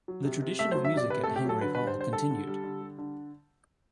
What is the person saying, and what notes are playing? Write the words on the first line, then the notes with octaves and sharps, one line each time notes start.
The tradition of music at Hengrave Hall continued.
F#3
C3
C3
A3 E5
F#3 C5
E5
C3 D5
C3 B4
A3 A4
G4
F#3 A4
D3 B4
G3 B4
C5
D3
C5
G3 A4
D3
G3
D3
G3
D3